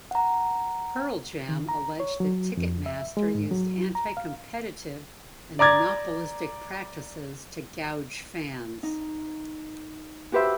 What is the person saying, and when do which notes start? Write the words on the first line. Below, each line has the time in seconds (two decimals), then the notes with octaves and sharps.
Pearl Jam alleged that Ticketmaster used anti-competitive and monopolistic practices to gouge fans.
0.11 F#5 A#5
1.49 D#3
1.69 A#5
2.00 C#5
2.20 F#3
2.57 F2
2.86 E5
3.17 G#3
3.35 G#2
3.51 F#3
3.95 A#5
4.17 F5
5.59 D5 A#5 D6 G#6 A6
8.83 D#4
10.32 F#4 G4 B4 C5 E5